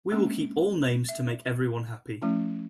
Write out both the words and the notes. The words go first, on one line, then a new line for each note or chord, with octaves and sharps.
We will keep all names to make everyone happy.
G#3 A#3 C#4 D4
E5
F3 A3 C#4 E4